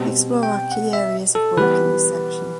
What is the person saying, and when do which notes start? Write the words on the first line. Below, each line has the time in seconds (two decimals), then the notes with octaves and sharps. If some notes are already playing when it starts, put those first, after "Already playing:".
Explore our key areas of work in this section.
Already playing: B2 G3 C4
0.43 G5
0.72 F#5
0.93 E5
1.35 A4
1.57 E3 G3 B3 B4